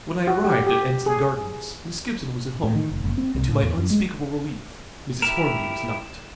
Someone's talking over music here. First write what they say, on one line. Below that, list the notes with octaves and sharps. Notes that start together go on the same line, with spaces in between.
When I arrived at Endsley Gardens, Miss Gibson was at home, and to my unspeakable relief, Mrs. Hornby was not.
F#4
G4
G4
G#4
A2
D#3
F1
F#1
C4
C2
A2
E2
F#2
G#3
E4 G4 A#4 E7